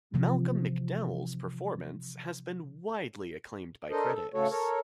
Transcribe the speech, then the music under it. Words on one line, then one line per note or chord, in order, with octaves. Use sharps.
Malcolm McDowell's performance has been widely acclaimed by critics.
C3 E3 F3
D4 A4 A#4 C5 D#5
A4
A2 C#3 A3 F#4 A4 C#5
A4 A#4 C#5